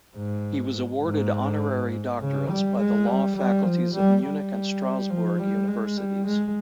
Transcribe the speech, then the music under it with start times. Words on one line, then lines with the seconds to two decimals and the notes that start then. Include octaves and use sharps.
He was awarded honorary doctorates by the law faculties of Munich and Strasbourg Universities.
0.16 G#2
1.04 G#2
2.20 C#3
2.49 G3
2.78 G#3
3.07 G3
3.36 G3
3.65 F3
3.94 G3
4.23 G3
5.10 F3
5.39 G3
5.68 G#3
5.97 G3
6.26 G#3